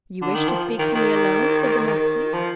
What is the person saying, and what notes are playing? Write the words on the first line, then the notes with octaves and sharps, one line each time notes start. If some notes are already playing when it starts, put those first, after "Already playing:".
"You wish to speak to me alone?" said the marquis.
D3
D#3
F3
D#3
D#3
D#3
F3